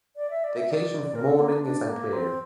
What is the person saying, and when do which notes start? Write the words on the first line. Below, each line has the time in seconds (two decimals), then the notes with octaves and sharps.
The occasion for mourning is unclear.
0.16 D5
0.30 E5
0.44 D5
0.57 E5
0.71 D5
1.15 A#4
1.28 A4
1.39 A#3
1.52 D4
1.64 D4
1.89 A#3
2.13 C4